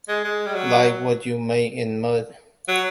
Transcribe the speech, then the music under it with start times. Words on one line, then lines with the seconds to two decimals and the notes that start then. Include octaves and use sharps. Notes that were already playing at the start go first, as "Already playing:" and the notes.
Like what you make in mud.
0.08 G#3
0.24 G#3
0.46 G3
0.54 F#3
2.68 F#3